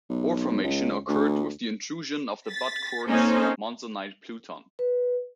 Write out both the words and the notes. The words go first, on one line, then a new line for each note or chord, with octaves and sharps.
Ore formation occurred with the intrusion of the Butte quartz monzonite pluton.
B1
C#2
D2
A6 B6
A#3 C4 C#4 D#4 A4 C5
B4